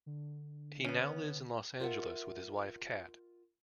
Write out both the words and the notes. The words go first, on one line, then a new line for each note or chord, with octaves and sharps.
He now lives in Los Angeles with his wife Kat.
D3
B3 C#4
F4 A#4 C5 D#5 E5 F#5